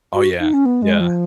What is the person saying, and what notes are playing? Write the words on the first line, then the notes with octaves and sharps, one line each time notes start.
Oh, yeah. Yeah.
F#4
D#4
C#4
B3
G#3
F3